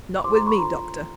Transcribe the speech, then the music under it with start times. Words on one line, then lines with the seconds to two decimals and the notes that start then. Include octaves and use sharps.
'Not with me, Doctor.
0.24 E4 G4 C5 C6 D6
0.35 A#5 C6
0.47 B5 C#6
0.58 D4 F4 A4 C5 A#5 C6